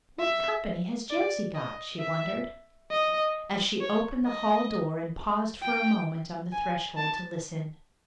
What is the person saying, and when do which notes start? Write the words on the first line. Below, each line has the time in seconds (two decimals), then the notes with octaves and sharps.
"What company has Josie got?" she wondered, as she opened the hall door and paused for a moment on the threshold to listen.
0.19 E5
1.10 D5
1.54 D#5
2.00 E5
2.90 D#5
3.81 C#5
4.26 D#5
5.62 G5
6.52 G#5
6.97 A5